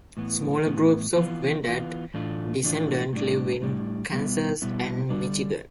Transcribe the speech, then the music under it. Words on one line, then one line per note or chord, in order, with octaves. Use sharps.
Smaller groups of Wendat descendants live in Kansas and Michigan.
A2 E3 B3
A2 E3 B3
E3 B3 F4
E3 B3 F4
A2 E3 A3 D4 F4
A2 E3 A3 D4 F4
A2 G3 D4
A2 G3 D4
B2 G3 B3 E4
B2 G3 B3 E4
D3 G3 D4